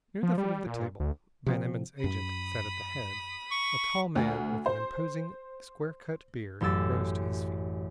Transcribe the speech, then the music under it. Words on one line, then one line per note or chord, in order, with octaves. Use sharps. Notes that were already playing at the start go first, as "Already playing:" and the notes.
Near the foot of the table--Van Emmon's agent sat at the head--a tall man with an imposing, square-cut beard rose to his feet.
F3
G3
A#2
D2
C3 F3 C4
F#2 B5 D#6
C#6
D2
C5
A1 F#2 G4 E6 A6